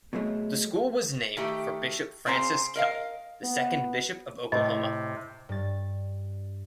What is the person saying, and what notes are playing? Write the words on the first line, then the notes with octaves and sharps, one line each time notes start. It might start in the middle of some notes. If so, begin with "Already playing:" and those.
The school was named for Bishop Francis Kelley, the second bishop of Oklahoma.
B2 F#3 G#3 A3
D#3 A3 G4
C#3 C4 C5 A#5
A#4 D#5 F5
B3
A2 C3 D#5
G2 A6